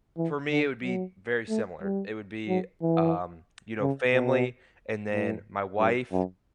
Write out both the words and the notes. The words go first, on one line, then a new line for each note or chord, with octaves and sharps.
For me, it would be very similar. It would be, um, you know, family, and then my wife.
E3
D3
F#3
A3
G3
F#3
E3
C#3
B2
A2
G2
F#2